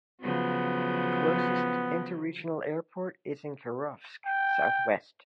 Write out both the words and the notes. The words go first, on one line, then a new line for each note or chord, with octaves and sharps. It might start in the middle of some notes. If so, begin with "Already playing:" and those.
The closest interregional airport is in Kirovsk, southwest.
C#3 F3 F#3 B3
G5